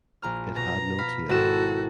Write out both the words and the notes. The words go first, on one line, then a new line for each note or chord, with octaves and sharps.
It had no tail.
A#1 A#5 F6
B2 A#5
F5 B5 B6
G#1 E4 F#4 A4 E7